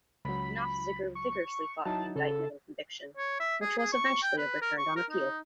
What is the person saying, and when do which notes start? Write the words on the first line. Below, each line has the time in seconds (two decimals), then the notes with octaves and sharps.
Nofziger vigorously fought the indictment and conviction, which was eventually overturned on appeal.
0.25 C#2 F#3 B5
1.15 C#6
1.86 F#3 D#4 E4 A5
2.16 C#3 A4
3.17 C#5
3.40 E5
3.62 G#4
3.78 G#4
3.93 C#6
4.23 G5
4.38 B4
4.62 A#4
4.79 C#6
4.96 A#4
5.11 D#4